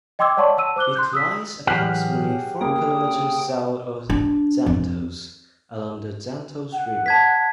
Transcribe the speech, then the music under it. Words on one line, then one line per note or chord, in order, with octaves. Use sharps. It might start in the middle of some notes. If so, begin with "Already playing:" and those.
It lies approximately four kilometres south of Xanthos along the Xanthos River.
D#5 G5 C6 D6 E6 G#6
C#5 D5 F#5 A5 C6 C#6
F#5 A5 E6 D#7
C5 D6 F#6 G7
C6 F#6 G6
D#6 E6 B6
A2 E3 F#3 G4 G#4 F#5 F6
C#3 A#3 G5 D#6
D4
F2
F#5
A5 G#6 B6